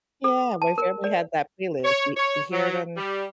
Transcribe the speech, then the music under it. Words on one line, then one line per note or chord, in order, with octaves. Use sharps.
Yeah, my family had that playlist, y you hear it on
A4
A5
A#4
D5
C#5
C#5
F#3
G3